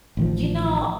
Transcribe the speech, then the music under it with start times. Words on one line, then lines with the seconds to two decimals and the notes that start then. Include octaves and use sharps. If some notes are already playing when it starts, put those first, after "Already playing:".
you know,
0.17 A1 D#3 F3